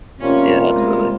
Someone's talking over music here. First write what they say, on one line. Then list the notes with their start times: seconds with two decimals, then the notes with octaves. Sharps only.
Yeah, absolutely.
0.20 C3 G3 A#3 C#4 F4
0.76 G#3